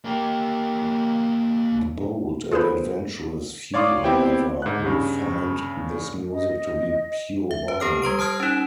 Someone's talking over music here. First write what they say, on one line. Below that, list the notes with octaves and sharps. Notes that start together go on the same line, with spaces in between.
The bold and adventurous few however, will find this music to be pure balm.
A#3 G4
F4 G#4 A4 B4 C5 B5
C#5 D5 F5 C6 D6 D#6
B3 C4 E4 G4 C5 G5
G#2 F#6
G2 C#3
D#5
E5
B4
G4 A4 F6
G3 B4 C6 D7
A5 D#6 F6 G#6
C#4 D#4